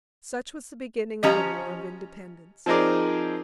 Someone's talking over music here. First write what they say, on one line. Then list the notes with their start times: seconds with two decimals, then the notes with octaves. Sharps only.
Such was the beginning of the war of independence.
1.23 F3 C#4 G4 D#5 A#5
2.66 F3 C4 D#4 G#4 A#4 D5